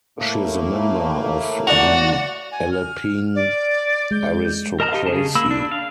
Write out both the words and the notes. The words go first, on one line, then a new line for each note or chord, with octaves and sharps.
She is a member of the Aleppine aristocracy.
A2 A3 A#3
F#4 D5 F#5 F7
G#5
F6
D5
G#3 G6
A#4 D#5 A5 A#5 F6
D#4 G4 D#5 F5
C#3 C#4 G#4 A5
A#3 B5 E6
D4
F5